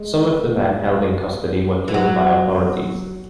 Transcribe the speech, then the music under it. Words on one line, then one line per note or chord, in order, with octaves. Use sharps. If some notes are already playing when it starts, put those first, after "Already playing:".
Some of the men held in custody were killed by authorities.
Already playing: G#3
E3
F#3